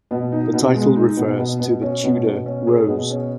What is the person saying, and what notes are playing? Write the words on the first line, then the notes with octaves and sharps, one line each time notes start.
The title refers to the Tudor rose.
B2
D#4
B2
G#3
D#4
B2
B2
B2
C#4
B2
B2
C#4
G#4
B2
C#4